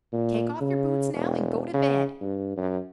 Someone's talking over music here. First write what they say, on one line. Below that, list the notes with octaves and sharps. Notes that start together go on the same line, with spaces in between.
Take off your boots now and go to bed.
A#2
C#3
E1
C#3
G2
F#2